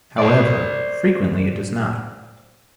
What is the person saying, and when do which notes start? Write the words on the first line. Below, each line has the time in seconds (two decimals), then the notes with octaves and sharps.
However, frequently it does not.
0.18 C5 D5